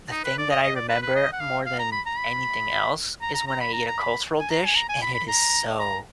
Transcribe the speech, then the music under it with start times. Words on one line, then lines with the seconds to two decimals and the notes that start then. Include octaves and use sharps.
the thing that I remember more than anything else, is when I eat a cultural dish and it is so
0.11 D#4
0.24 B4
0.38 D5
0.50 D#5
0.63 D#5
0.76 D5
0.88 B4
1.02 B4
1.15 D#5
1.32 F#5
1.40 F5
1.66 F5
1.79 A#5
1.92 B5
2.06 A#5
2.18 B5
3.22 A#5
3.34 A#5
3.47 A#5
3.61 B5
3.73 A#5
3.88 A#5
3.99 B5
4.39 G#5
4.50 A#5
4.66 G#5
4.76 A#5
4.89 G#5
5.02 B5
5.14 B5
5.28 A#5
5.79 A#5